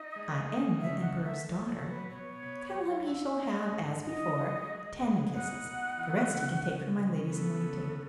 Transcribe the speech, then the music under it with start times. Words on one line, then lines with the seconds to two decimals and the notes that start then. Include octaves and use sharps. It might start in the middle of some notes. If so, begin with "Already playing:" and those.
'I am the Emperor's daughter! Tell him he shall have, as before, ten kisses; the rest he can take from my ladies-in-waiting.'
Already playing: D#4 D#5
0.16 G#3
0.48 D#3
0.80 C#3 E5
1.02 F#5
1.13 A3
1.24 E5
1.45 A3
1.67 C#5
1.78 F#3
1.89 B4
2.10 B2 C#5
2.43 B3
2.75 F#3
3.07 E4
3.40 C#4 D#5
3.72 G#2
4.04 F#3 D#5
4.37 F#3
4.69 G#3
5.01 B2
5.33 D#4 F#5
5.66 B2
5.98 E3
6.31 C#3
6.62 C#3
6.96 C#3
7.28 B3 A4
7.60 C#3
7.92 C#3